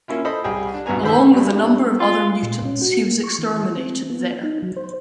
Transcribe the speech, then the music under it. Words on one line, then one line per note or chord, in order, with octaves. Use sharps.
Along with a number of other mutants, he was exterminated there.
A#3 C#4 E4 F4
A4 C5 D#5 B5
C2 G3 G#4 G5
D4
C2 G2 B2 B3 G#5 A#5
D3 D#3 C5 B5 E6
G2
F4
A#2
C#4
F#4
A#3
C#6
E3
C4
B3
D#4
F#3
C5